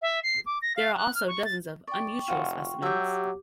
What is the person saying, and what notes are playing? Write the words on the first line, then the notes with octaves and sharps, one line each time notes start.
There are also dozens of unusual specimens.
E5
C7
D6
A#6
F5
F#6
F6
C#6
A6
D5 G5 C#6
F1 F4 F#4
F#3 G4 E5 G5 D6